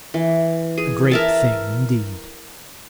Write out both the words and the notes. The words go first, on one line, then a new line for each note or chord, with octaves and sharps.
A great thing, indeed.
E3
G#4
A#4 E5 A5